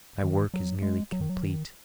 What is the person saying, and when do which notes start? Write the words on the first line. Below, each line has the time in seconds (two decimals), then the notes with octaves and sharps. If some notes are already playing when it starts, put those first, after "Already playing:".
My work is nearly complete.
0.24 D#3
0.54 F#3
0.82 G#3
1.12 F#3
1.21 D#3
1.29 F#3
1.42 D#3